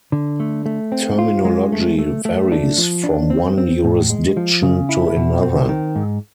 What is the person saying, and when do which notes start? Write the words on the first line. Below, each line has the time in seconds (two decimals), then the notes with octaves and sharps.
Terminology varies from one jurisdiction to another.
0.12 D3
0.40 A3
0.66 A3
0.92 C4
1.19 F4
1.45 G#3
1.72 A3
1.98 A3
2.25 A3
2.52 D4
2.78 F3
3.04 D4
3.30 C4
3.58 C4
3.84 A2
4.10 G#3
4.37 F3
4.63 C#3
4.89 E4
5.16 B2
5.42 C4
5.69 D#3
5.96 G#2